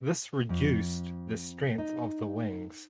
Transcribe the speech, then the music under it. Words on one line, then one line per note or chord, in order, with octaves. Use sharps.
This reduced the strength of the wings.
F2
D#4